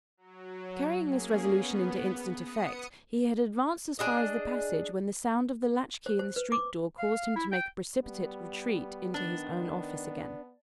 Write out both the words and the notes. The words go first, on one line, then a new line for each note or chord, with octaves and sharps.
Carrying this resolution into instant effect, he had advanced as far as the passage, when the sound of the latch-key in the street door caused him to make a precipitate retreat into his own office again.
F#3
A#3 C#4 G#4
B3
B3 D#6 C#7
D4 G#4 D#5
C5
C5
B4
D6
F5
E4
G5
G3 B3
D#3 D4